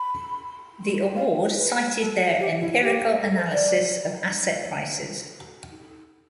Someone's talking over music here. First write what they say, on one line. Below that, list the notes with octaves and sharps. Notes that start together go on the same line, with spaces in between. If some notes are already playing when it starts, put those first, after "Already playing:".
The award cited their empirical analysis of asset prices.
Already playing: B5
F5
B4
A4
G4
E4
G4
A4
C5
D5